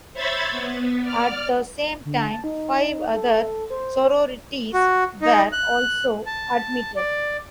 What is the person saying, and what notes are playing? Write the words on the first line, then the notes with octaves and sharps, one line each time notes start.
At the same time, five other sororities were also admitted.
C5 C#5 E5 B5 G#6 A6
B3
D5 F6
D3
A5
D#4
A4
C5
F#4
D#4
F#6
A5
D5